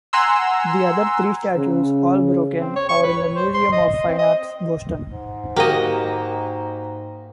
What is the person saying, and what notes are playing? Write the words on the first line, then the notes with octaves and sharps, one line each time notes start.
The other three statues, all broken, are in the Museum of Fine Arts, Boston.
F#5 G#5 A#5 C6 E6
C#3
C4
C#5
C#6
B4
C#5
C5
C6
D#5
D#5
C4
D#5
G#2
A#3 F#4 G4 D#5